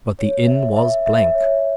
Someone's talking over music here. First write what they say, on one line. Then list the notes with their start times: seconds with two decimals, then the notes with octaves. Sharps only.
But the inn was blank.
0.19 C#5
0.47 E5
0.77 E5
1.06 E5
1.35 C#5